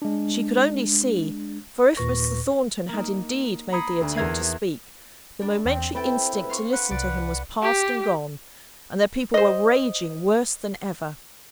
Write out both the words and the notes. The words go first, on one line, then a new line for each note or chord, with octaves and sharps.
She could only see; for if Mr. Thornton had indeed made the attempt to speak, the momentary instinct to listen to him was past and gone, and the people were raging worse than ever.
G#3 D4
D#2 A#2 B4 C#6 A#6
A#3 D#4
A#5 B5 D#6 G#6 C7 C#7
D2
E2 A#4 G#6 C7 D#7
G3 D4
E2 C4 G5
C4 E4 A4 B4 G5
F5 C6 C#6
B4 F#5
C2 D5
G4
C5 D#5